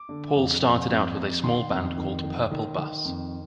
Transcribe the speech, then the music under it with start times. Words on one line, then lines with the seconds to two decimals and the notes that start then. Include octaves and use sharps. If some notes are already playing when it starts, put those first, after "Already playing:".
Paul started out with a small band called "Purple Bus".
Already playing: D6
0.09 D3
0.35 F2
0.62 F2
0.89 F2
1.16 F2
1.43 D#3 C6
1.70 F2
1.97 D#3
2.24 D#3
2.51 D#3
2.78 D#3
3.05 F2